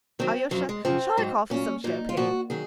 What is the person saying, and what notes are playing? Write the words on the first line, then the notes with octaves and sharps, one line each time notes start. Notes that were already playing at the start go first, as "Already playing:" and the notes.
Alyosha, shall I call for some champagne?
F#2 D#3 F#3 C4
F#2 F3 F#3
G#3
F#2 C#3 F3 C4
G#2 F#3
A#2 F#3 C#4
A#2 F#3 D#4
F4
A#2 F3 F#4
D#3 F#3 G#4